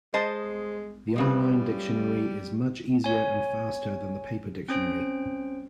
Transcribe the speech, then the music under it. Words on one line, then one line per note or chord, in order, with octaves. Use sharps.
The on-line dictionary is much easier and faster than the paper dictionary.
G#3 C5 D#5 A5
A2 C#3 G3 B4
C#5 G#5
C4 C#4 C5 D7